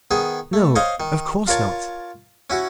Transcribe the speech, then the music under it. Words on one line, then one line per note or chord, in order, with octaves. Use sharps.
"No, of course not."
D#3 B3 G#4
A3
C5 C#5 D#5 F5 C6
D#3
F4 A#4 C#5 A5
C#4 E4 F#4